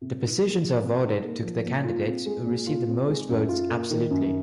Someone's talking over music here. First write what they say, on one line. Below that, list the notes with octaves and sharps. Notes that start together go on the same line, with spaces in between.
The positions are awarded to the candidates who receive the most votes absolutely.
C3
D#4
A#3
F3
C3
D#4
A#3
F3
A#2
F4
C4
G#3
A#2
F4
C4
G#3
F#2
F4
A#3
D#3
F#2